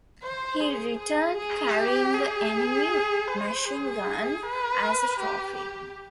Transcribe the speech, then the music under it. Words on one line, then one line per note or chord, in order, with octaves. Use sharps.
He returned carrying the enemy machinegun as a trophy.
C5
G#4
G#4
G#4
G4
G#4
C5
G#4
B4
G4
G4